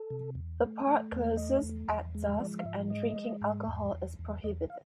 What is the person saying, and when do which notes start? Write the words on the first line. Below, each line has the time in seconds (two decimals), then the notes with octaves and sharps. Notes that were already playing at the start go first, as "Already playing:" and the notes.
The park closes at dusk and drinking alcohol is prohibited.
Already playing: A4
0.10 C3
0.35 E2
0.61 A3
0.87 A3
1.12 E2
1.37 A3 D#5
1.63 E2
1.89 E2
2.15 G#3
2.39 F3 D5
2.59 F5
2.65 G#2 E5
2.90 G#3 D#5
3.16 G#3
3.41 G#2
3.67 E2
3.93 E2
4.19 E2
4.44 E2 D#5
4.70 F5